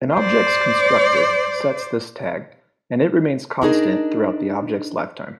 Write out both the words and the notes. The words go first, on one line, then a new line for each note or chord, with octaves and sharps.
An object's constructor sets this tag, and it remains constant throughout the object's lifetime.
C5 D5
D4 D#4 G#4 A#4